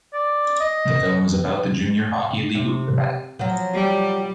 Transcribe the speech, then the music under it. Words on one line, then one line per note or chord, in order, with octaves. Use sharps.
The film is about the Junior Hockey League of Quebec.
D5
D#5
C3
F3 F#3
G3